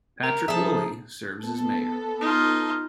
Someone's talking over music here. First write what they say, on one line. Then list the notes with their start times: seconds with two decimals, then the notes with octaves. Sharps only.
Patrick Wooley serves as mayor.
0.23 A#4 A#5
0.48 F3 G#4 A4 E5
1.42 B3 A4
2.21 D#4 F4